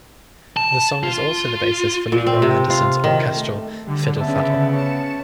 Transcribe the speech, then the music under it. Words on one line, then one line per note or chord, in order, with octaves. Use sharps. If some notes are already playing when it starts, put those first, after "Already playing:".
The song is also the basis for Leroy Anderson's orchestral "Fiddle Faddle".
A5
F4
A#2
C4
C3
F4
D#3
A3
D3 G3
C#3 B3 E5 A5
C#5 A5 C#7 E7